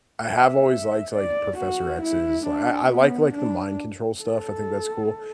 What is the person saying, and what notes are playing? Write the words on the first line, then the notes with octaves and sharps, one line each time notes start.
I have always liked like Professor X's, I I like, like the mind control stuff, I think that's cool.
E5
D5
F#4
E4
D4
B3
D4
A4